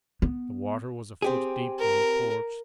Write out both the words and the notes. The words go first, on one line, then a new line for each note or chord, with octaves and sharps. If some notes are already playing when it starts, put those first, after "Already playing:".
The water was a foot deep on the porch.
B3
C4 G4 G#4
A#4